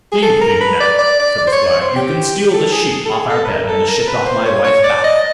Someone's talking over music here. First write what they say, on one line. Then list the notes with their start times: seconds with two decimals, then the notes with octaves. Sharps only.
'Do you think, now', said the Squire, 'you can steal the sheet off our bed, and the shift off my wife's back.
0.12 G#4
0.23 A4
0.41 A#4
0.61 B4
0.80 D5
0.99 D5
1.19 D5
1.38 D5
1.47 C5
1.53 C#5
1.67 C#5
1.81 C5
1.96 G4
2.54 A4
2.72 G#4
3.05 A4
3.11 G#4
3.30 A4
3.45 B4
3.49 A#4
3.68 A4
3.88 A#4
4.08 B4
4.26 C5
4.46 C#5
4.64 C#5
4.84 D5
5.04 D#5